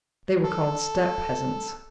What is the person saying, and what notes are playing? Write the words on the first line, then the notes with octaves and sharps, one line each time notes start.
They were called steppe peasants.
A4